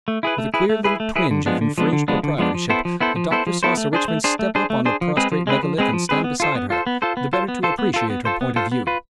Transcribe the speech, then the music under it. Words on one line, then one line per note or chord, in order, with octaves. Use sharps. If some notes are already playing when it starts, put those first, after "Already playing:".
With a queer little twinge of infringed proprietorship, the doctor saw Sir Richmond step up on the prostrate megalith and stand beside her, the better to appreciate her point of view.
A3
E4 G#4 B4
A3
E4 G#4 B4
A3
E4 G#4 B4
A3
E4 G#4 B4
D3
F3 G#3 B3 D4
D3
F3 G#3 B3 D4
D3
F3 G#3 B3 D4
D3
F3 G#3 B3 D4
F3
B3 E4 A4 C5
F3
B3 E4 A4 C5
F3
B3 E4 A4 C5
F3
B3 E4 A4 C5
A3
D4 G#4 C5
A3
D4 G#4 C5
A3
D4 G#4 C5
A3
D4 G#4 C5
F3
G#3 C4 G#4 B4
F3
G#3 C4 G#4 B4
F3
G#3 C4 G#4 B4
F3
G#3 C4 G#4 B4
B3
F4 A4 C5
B3
F4 A4 C5
B3
F4 A4 C5
B3
F4 A4 C5
B3
F4 A4 C5
B3
F4 A4 C5
B3
F4 A4 C5
B3
F4 A4 C5
B3
F4 B4